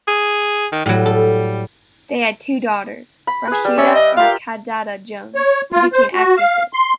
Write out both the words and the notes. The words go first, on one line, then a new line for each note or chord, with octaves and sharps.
They had two daughters, Rashida and Kidada Jones, who became actresses.
G#4
D#3
A2 F#3 G3
A4
B5
G#4 B4
G3
C#4 D5 E5
D#5
F4 G4 A#4 F5
C#5
F4
C5
F#4
F5
C6